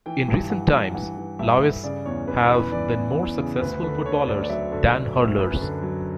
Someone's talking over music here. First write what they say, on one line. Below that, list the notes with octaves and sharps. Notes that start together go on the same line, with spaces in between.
In recent times Laois have been more successful footballers than hurlers.
E3 G5
G2
E3 F#5
G2
E3 F#5
E3
G2 E5
G2
C#3 D5
E2 C#5
E2 B4
E2 B4
E3 D5
E2
E2
C#3
D2 B4
D3 B4
D3 C#5
D2 D5
D5
F#3 E5
D3
D3
D2
F#2 B4
D3
F#3